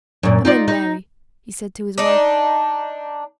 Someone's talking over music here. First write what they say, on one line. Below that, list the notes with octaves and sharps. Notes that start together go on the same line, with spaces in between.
"Come in, Mary," he said to his wife.
F#2 A#2
D#4 F4 D5
D#4
D4 D#4